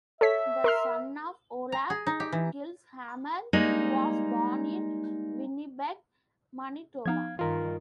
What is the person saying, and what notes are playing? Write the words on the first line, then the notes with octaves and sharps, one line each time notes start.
The son of Olaf Gilleshammer, he was born in Winnipeg, Manitoba.
A4 C#5 E5 B6
A#4 C6 F6
A#5
G#4
D#4
G4
E3
G3 G#3 A#3 D#4
F3 B3 D#4 F5 G#6
G2 D#3 F4 A#4